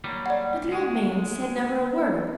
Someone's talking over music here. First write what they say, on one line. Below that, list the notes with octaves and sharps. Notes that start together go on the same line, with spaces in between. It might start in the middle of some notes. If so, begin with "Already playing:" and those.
But the old man said never a word.
D#2 F#3 G3
D5 F#5
D2 G#3